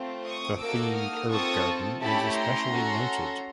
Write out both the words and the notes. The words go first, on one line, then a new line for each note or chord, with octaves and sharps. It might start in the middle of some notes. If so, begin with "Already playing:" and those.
The themed herb garden is especially noted.
Already playing: A3 C4 F4
C#6 D#6
A#3 D#4 F#4 A4 D6 E6
D#6 F6
C4 F4 A4 C#6 D#6
A3 C#4 E4 G4 A5 B5
A#5 C6
C#4 F#4 A4